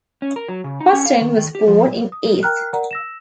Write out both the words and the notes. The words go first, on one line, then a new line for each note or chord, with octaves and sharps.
Hustin was born in Ethe.
C#4
A#4
F#3
C#3
D#4
C#4
F5
D#3
D#3
G4
F3
D#6
A#4 G5 A#5 F6 F#6
A#4 D5 F#5 A#5
E6 A#6 E7